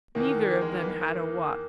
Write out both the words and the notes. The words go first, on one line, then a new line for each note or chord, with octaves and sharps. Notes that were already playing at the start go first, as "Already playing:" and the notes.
Neither of them had a watch.
E2 D#3 A#3
A#3
G#3
A#3
B3
A#3